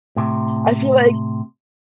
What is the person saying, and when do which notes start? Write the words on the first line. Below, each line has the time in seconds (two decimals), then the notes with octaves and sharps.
I feel like
0.16 A2 C3